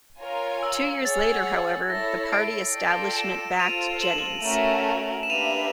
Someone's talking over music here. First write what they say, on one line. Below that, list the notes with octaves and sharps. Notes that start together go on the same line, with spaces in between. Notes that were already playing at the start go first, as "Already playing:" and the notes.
Two years later, however, the party establishment backed Jennings.
F4 A#4 C#5 F5 G#5
E6
G#4 C#5 F#5 A6
E4 A4 C#5 A#6
C7 D7
F4 A4 D5 G5
D7 E7
F4 A4 C5 D#7 F7
E7 F#7
A3 C#4 F#4 A#4
E7
A#3 D4 G4 B4 E5 D#7 F7